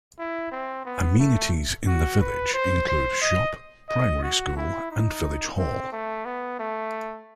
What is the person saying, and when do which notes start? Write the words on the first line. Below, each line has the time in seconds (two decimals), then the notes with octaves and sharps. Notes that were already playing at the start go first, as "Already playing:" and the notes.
Amenities in the village include a shop, primary school and village hall.
0.19 E4
0.52 C4
0.86 B3
1.19 A3
1.87 F#4
2.21 B4
2.54 C5
2.88 C5
3.22 D#5
3.89 D#5
4.23 F#4
4.57 E4
4.91 D#4
5.58 C4
5.92 A3
6.25 B3
6.59 A3